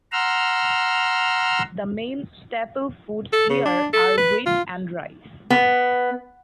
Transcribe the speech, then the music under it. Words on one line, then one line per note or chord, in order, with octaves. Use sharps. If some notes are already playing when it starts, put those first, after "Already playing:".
The main staple foods here are wheat and rice.
F#5 A#5 C6 E6 F6
A4
C#3
D4
A4
B4
F4
B3